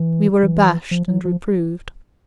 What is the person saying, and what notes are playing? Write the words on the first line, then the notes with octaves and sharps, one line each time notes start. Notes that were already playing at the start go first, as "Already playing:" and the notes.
We were abashed and reproved.
Already playing: E3
E3
F3
F#3
F3